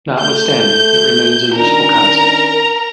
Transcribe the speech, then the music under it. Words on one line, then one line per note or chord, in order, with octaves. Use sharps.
Notwithstanding, it remains a useful concept.
A3 G6
D#3 C#4 D4 A#4 A#5